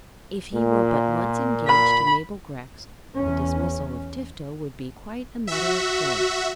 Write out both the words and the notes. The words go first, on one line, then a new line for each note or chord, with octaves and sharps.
If he were but once engaged to Mabel Grex the dismissal of Tifto would be quite a matter of course.
A#2
B5
E2 C#4
F#4 E5